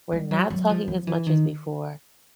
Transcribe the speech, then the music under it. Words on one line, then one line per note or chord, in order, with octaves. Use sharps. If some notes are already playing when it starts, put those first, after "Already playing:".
we're not talking as much as before,
G3
F#3
F#3
F3
F3
E3
D#3